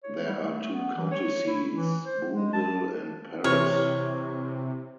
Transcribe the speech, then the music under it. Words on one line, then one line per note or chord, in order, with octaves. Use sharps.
There are two county seats: Booneville and Paris.
C#5
G3
A3
B3
E3
C#5
E4
E3
C5
G#3
A5
C3 E3 C#5 F6